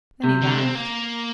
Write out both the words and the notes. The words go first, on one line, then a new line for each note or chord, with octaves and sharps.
Then he laughed.
C3
D3
C4
A#3